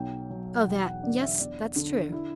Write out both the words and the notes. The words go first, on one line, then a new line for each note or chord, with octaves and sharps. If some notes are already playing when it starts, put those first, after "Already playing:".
"Oh, that,--yes, that's true."
Already playing: B1 F#3 G5
F#3
F#5
E1 G5
F#5
D3 D5
E5
E2 D5
D3
E4